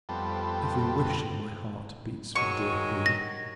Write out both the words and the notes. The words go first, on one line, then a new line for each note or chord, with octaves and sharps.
Every wish of my heart beats for the dear Queen.
F2 G3 B3 C4 A4
D#3 F#3 G#3 C#6
A#6